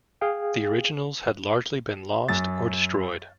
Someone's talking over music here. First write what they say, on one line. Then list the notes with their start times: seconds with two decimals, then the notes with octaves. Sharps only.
The originals had largely been lost or destroyed.
0.21 G#4 F5 G5
2.28 F#2 A6